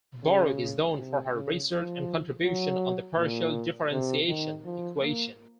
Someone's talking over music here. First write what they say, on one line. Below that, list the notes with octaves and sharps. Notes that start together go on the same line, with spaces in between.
Borok is known for her research and contribution on the partial differentiation equation.
C#3
C3
C#3
F3
F#3
A#2
C3
D#3
F3
A#3